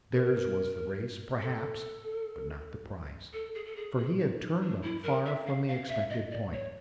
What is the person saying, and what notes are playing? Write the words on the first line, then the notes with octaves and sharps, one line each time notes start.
Theirs was the race, perhaps, but not the prize, for he had turned up far from the expected point.
A#4
A4
A4
G#4
A4
G#4
G#4
D#4
D#4
D4
E4
A#4
E5
F5
F5
E5
D#5
D5
C#5